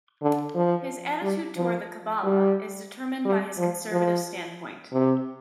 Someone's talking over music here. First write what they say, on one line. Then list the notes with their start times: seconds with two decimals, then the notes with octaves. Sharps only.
His attitude toward the Kabbalah is determined by his conservative standpoint.
0.21 D3
0.54 F3
1.22 G3
1.56 F3
2.23 G3
3.25 G3
3.58 F3
3.92 F3
4.93 C3